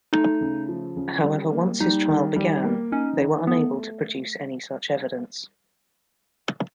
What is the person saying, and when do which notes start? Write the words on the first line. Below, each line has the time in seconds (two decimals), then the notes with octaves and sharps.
However once his trial began, they were unable to produce any such evidence.
0.13 A3 D#4
0.41 C#3
0.68 F3
0.96 C#3
1.24 G3
1.52 A#3
1.80 G3 D#4
2.08 D#3
2.36 G3
2.64 A#3
2.92 C#4 D#4
3.20 D#3
3.47 A3 B3
3.76 A3